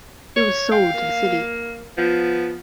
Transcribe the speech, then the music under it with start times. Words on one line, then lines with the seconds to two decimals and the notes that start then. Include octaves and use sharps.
It was sold to the city.
0.36 C#5
0.72 F5 G5
0.94 A#3
1.98 F3 B3